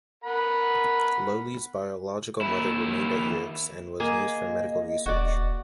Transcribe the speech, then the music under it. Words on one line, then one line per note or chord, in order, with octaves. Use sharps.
Loulis's biological mother remained at Yerkes and was used for medical research.
A#4 F#5 B5
D#2 E4
A#3 G#4 D#5
D#1 F#4 D5